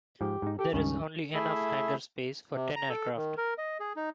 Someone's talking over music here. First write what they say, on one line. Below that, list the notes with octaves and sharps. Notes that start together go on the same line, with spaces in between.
There is only enough hangar space for ten aircraft.
G#2 F3 G4
G#2 D#4
G4 A4
C#2 G2 D#3 C#4
A3 E4 G#4 E5
C3
A#5
A4
D#3
A#4
D#5
G#4
D#4